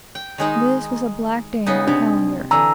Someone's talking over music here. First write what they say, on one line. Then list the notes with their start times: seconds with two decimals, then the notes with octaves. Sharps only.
This was a black day in our calendar.
0.15 G5
0.38 D#3 G#3 D#4
1.66 C#3 B3 D#4
1.88 C3 D4
2.51 D3 E3 A#5 E6